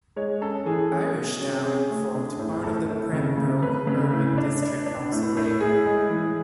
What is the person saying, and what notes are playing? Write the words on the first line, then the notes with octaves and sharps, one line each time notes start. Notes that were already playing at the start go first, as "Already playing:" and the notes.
Irishtown formed part of the Pembroke Urban District Council area.
G#3 C#5
C#4 A4
E3 G#4
C#4
B2
C#4
C#4 G#4
A3
D4
A2
A2 A4
A2
C#3
C#3
C#3 B4
C#3
A2
D4
D4
D4
A2
A2
A2 G#4
G#3
E3